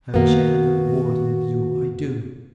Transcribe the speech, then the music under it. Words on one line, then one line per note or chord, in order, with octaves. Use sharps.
'I wish I had the rewarding of you--I do.'
F#2 D#3 A#3 B3 F#4